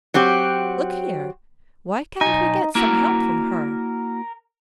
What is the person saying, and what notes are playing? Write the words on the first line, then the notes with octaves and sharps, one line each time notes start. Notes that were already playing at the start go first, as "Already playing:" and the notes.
"Look here, why can't we get some help from her?"
F#3 C4 F#4 G4
B1 D#4 G#5
A#3 E4 F#4 A#4